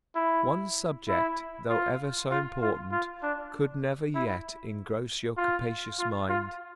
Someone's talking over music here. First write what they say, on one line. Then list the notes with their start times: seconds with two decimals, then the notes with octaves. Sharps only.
One subject, though ever so important, could never yet engross your capacious mind.
0.15 E4
1.08 E4
1.70 F4
2.30 F4
2.61 F4
2.92 F4
3.23 D4
4.15 E4
5.37 F4
5.99 F4
6.29 F4